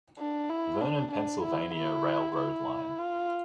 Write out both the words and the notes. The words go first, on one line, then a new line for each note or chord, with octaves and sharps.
Vernon Pennsylvania Railroad line.
D4
E4
D4
D4
E4
E4
E4
F4